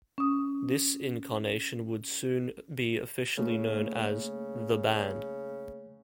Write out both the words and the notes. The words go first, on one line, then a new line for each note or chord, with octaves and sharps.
This incarnation would soon be officially known as The Band.
C#4 D#6
C#3 A3 A#3